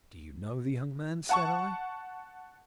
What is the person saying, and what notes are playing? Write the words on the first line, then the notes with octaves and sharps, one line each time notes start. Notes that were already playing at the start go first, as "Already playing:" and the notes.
"Do you know the young man?" said I.
F#5 A5 C#6